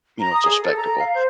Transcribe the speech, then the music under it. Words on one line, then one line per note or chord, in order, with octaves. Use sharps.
you know, it's a spectacle.
A#5
D#6
G#4
A4
A#5
F5
C5